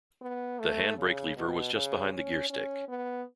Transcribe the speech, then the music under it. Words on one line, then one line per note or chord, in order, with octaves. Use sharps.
The handbrake lever was just behind the gearstick.
B3
A3
C#3
B2
C#3
C#4
C#4
B3